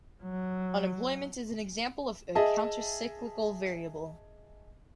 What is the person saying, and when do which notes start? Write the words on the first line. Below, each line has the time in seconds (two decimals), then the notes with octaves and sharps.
Unemployment is an example of a countercyclical variable.
0.23 F#3
2.35 G#4 D#5 E5 A5